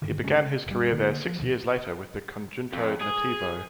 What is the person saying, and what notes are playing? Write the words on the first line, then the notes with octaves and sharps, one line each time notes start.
He began his career there six years later with the Conjunto Nativo.
G2 D3 D#3
C#3 G#3 A3 C#4
F#1 G3
D3 A#3
F3
D2 B2
F2
G#4